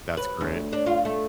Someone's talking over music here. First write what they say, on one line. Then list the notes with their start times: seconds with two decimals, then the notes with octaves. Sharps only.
That's great.
0.17 B4
0.41 D2
0.73 D4
0.86 F4
1.05 A3